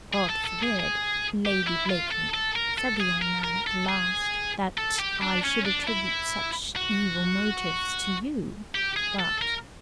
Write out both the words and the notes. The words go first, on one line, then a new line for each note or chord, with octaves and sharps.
"God forbid, Lady Blakeney," said the young man at last, "that I should attribute such evil motives to you, but . . ."
G#4
A4
A4
G#4
G#4
G4
E4
F4
A4
A4
A#4
A4
G#4
A#4
A#4
A4
G#4
A4
G4
D4
C#4
D4
E4
F#4
G4
G#4
A4
A#4